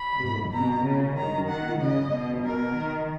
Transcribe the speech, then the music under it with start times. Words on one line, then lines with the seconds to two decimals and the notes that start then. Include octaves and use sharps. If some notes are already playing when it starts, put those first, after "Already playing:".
There were three music videos made for this song.
Already playing: B5
0.21 G#2
0.53 B2 A#5
0.85 C#3
1.17 D#3 A#5
1.49 F#5
1.81 C#3 D#5
2.13 B2
2.46 A#4
2.77 D#3